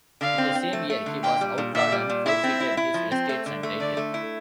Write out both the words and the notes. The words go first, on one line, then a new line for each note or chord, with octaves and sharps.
In the same year, he was outlawed and forfeited his estates and title.
D3 F5
C4
C4
A3
A3
D3
A#2 G5
G3
A#2
A#2 E5
G3
A#2
E4 E5
C4
E4
E4
F3
C4
A3
D3
A3
D3 D5
A3
E4